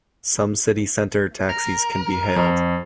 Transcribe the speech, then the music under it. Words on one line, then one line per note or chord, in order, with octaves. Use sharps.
Some city centre taxis can be hailed.
A#4
F2